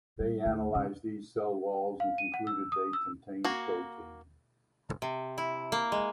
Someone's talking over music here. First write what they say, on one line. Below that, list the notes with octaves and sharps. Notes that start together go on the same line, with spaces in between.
They analysed these cell walls and concluded that they contained protein.
G3
D2
C#3
F5
D#7
F#5
E6
D#6
E6
A#3 F#4
C3
E4
A#3
G#3